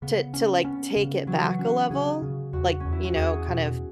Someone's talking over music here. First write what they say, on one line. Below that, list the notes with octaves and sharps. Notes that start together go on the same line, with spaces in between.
to to, like, take it back a level, like, you know, kind of
C#3 B3
C#4
B3 C#4
C#3
E3 F#3
C#4 F#4
C#3 G#4
C#3
E2 F#4
E2 C#4
E4
F#4
E2 G#4
B2